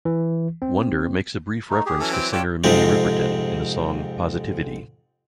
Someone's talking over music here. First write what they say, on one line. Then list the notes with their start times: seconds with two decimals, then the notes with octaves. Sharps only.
Wonder makes a brief reference to singer Minnie Riperton in the song "Positivity".
0.05 E3
0.62 C4
1.70 A3 D#4
1.86 G4 G#4
2.00 E3 F#3 C#4 A4
2.12 C4 G5
2.32 D4 F4 G4 A4 C#5 G5
2.64 F2 G#2 C3 G#3 C4